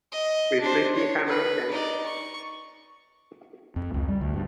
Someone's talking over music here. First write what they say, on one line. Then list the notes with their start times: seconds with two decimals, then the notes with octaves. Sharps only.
We flipping hammered them.
0.12 D#5
0.61 D4 C5
0.95 C#5
1.28 B4
1.71 D#4 D5
2.06 C#6
3.76 F2
3.94 C#2
4.08 G3
4.21 D2
4.34 G2